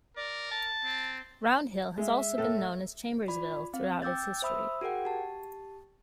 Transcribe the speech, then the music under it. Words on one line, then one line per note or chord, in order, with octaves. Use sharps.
Round Hill has also been known as Chambersville throughout its history.
A#4 D5
A5
C4
G#3 E5
A2 A4
F4 D5 B5
C4 F5
G5 D6 E6 G6 A6
C5 E5 B5 D#6 E6
F#4 G#4 A#4 F#5 G5
G4 A5